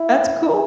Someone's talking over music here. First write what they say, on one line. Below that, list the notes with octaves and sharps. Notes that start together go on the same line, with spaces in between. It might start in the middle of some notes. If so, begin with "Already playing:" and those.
That's cool.
Already playing: E4